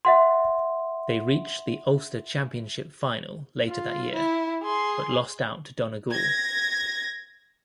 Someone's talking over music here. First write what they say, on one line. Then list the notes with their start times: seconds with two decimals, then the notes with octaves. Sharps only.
They reached the Ulster Championship final later that year, but lost out to Donegal.
0.05 E5 F#5 C6
3.68 F4
4.14 E4
4.63 G#4 C6
6.09 G#6 A#6